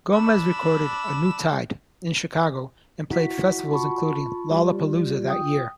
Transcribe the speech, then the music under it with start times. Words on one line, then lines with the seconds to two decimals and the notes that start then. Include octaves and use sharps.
Gomez recorded "A New Tide" in Chicago, and played festivals including Lollapalooza that year.
0.13 D4 B5 E6
3.11 E4 F#4 B6
3.71 F4 A5 B5 C#6
4.51 G3
5.28 G5 D#6